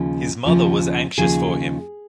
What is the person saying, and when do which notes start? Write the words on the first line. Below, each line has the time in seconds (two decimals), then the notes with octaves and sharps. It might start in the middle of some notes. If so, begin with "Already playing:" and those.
His mother was anxious for him.
Already playing: D#2 C#3 F3
0.45 D#2 C#3 F3
1.18 D#2 C#3 F3 G#4